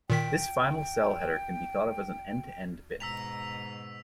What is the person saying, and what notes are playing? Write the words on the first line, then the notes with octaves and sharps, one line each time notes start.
This final cell header can be thought of as an "end-to-end bit".
A#2 D#3 G5 B6
G#2 B2 A#5 E6 B6 F7